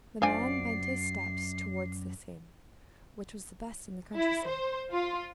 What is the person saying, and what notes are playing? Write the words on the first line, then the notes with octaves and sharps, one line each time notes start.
The man bent his steps towards this inn, which was the best in the country-side.
F#2 F3 D4 D5 G#5 C7
E4
C5
F4